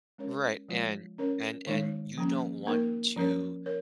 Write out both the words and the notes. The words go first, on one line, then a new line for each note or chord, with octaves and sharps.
Right, and and and you don't want to,
G#3 C#4 A#4 C#5
F3 G#3 F4 C#5
C#4 A#4 C#5
D#3 G#3 D#4 C#5
F3 A#3 C#4
A#3 D#4 A#4
F3 C#4 A#4 C#5
A#4 C#5